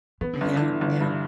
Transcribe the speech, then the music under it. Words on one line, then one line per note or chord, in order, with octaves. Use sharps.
Yeah, yeah.
E3 B3
D3
G1 C#3
D3 E3
G1
G2